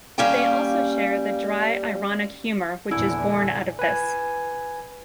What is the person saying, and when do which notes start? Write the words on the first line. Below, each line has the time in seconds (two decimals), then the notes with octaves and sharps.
They also share the dry ironic humour which is borne out of this.
0.18 G3 A#3 C#4 G4 F5 G5
2.91 E2 A#2 D3 E4 G#5
3.79 B4 G#5